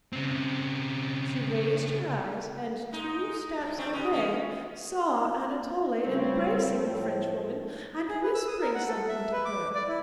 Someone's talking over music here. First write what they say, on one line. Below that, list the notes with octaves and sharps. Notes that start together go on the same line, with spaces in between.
She raised her eyes, and two steps away saw Anatole embracing the Frenchwoman and whispering something to her.
C#3 C4
G#3 D#4
G2
A3 C4
C3 B3 C#4
E3 C#4
C#3 G3 A3 C4 C#5
A2 F3
G#4
B4
E6
D#6
A#4
F#5
A4
E5
B4
D6
D5
E4